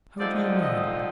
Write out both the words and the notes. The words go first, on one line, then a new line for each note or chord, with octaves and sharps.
"How do you mean?"
D3 F3 C4 D#4 D5
D#5